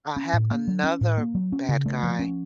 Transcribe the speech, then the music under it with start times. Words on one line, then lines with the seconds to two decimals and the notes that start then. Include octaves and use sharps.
uh, have another bad guy
0.16 C#4
0.33 A2
0.51 A#3
0.68 F#3
0.84 C#4
1.01 A2
1.18 A#3
1.35 F#3
1.52 C#4
1.69 C#3
1.86 A3
2.03 F3
2.19 C#4